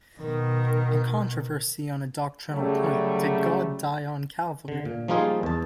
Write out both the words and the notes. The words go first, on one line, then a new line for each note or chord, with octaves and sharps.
A controversy on a doctrinal point Did God die on Calvary?
B2 D#3
C#3 F#3 G3 A3
D3
A#2
F3 G3 A#3 D#4 F4 G#4
E2 A5